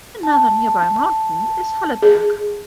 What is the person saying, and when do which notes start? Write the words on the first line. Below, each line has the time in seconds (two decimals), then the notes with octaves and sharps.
Another nearby mountain is Halleberg.
0.23 A5
2.02 G#4